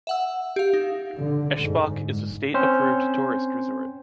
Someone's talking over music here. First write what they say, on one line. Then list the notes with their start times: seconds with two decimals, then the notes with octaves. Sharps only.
Eschbach is a state-approved tourist resort.
0.07 E5 F#5 E6
0.56 G4 F5
0.73 D#4
1.18 D3
1.60 G#2
2.54 C4 C#4 C5